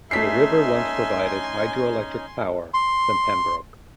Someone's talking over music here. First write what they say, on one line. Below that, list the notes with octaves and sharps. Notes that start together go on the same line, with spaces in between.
The river once provided hydroelectric power for Pembroke.
A3 C#4 D#4 E5 G#5 C6 B6 C7
C6